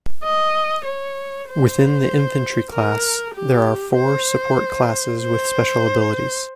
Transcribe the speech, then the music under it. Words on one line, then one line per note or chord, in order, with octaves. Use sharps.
Within the infantry class, there are four support classes with special abilities.
D#5
C#5
C5
A#4
G4
C5
C5